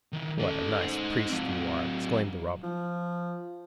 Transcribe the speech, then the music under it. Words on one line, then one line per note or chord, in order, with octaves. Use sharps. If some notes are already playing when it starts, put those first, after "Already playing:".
"What a nice priest you are!" exclaimed the robber.
D#3 E4
C#4 A4
D#4 C5
F#3 C4
F3